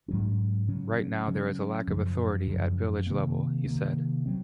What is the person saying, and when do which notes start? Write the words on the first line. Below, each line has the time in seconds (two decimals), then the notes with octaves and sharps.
Right now there is a lack of authority at village level, he said.
0.08 G#2 F#3 C#4
0.68 C#3 F#3 C#4
1.27 C#3 F#3 C#4
1.87 F#2 C#3 F3
2.47 F#2 C#3 F3
3.06 C3 D#3 A#3
3.66 C3 D#3 A#3
4.26 F#3 C4